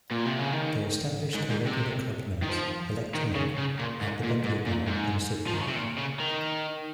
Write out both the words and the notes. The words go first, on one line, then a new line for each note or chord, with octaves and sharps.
They established a regular club night, "Electronic", at the Bentley Bar in Sydney.
A#2
C3
C#3
D#3
G#2
G#2
C3
D#3
F3
D#3
C#3
C#3
A#2
G#2
A#2
G#2
A#2
G#2
F3
D#3
C#3
C3
A#2
C#3
D#3